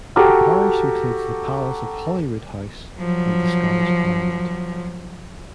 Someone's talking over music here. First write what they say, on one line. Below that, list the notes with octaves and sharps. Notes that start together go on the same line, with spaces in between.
The parish includes the Palace of Holyroodhouse and the Scottish Parliament.
F#4 G4 A4 A#5 D6 F6
F3 F#3